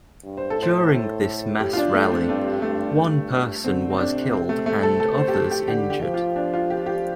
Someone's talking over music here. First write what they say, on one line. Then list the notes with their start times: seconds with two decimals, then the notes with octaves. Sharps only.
During this mass rally, one person was killed and others injured.
0.24 G2
0.37 C5
0.50 A4
0.58 A2 C5
1.60 G4
1.73 F4
1.77 D4
1.94 A3
2.12 C4
2.28 G2 A3
2.62 G2 A3
2.97 G2
3.64 D3 C4
3.90 C4
3.98 C3 D4
4.33 C4
4.49 A3
4.66 A3
4.83 A4
5.00 A4
5.18 C5
5.28 G4
5.34 A4
5.51 G4
5.68 D3 G4
5.90 G4
6.02 F3
6.14 F4
6.36 D4
6.54 F4
6.70 G4
6.86 G4